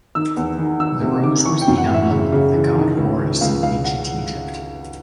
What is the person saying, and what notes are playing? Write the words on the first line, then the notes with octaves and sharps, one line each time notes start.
The rose was the emblem of the god Horus in ancient Egypt.
D#3 E6
E2
D#3
D#3 E6
C3
D#3 D6
E3 C#6
G5
F#2
F#5
E3
E5
C#3
C#3
E3
D#3
C#2
C#2
C#2 F5
C#2 F5
F#5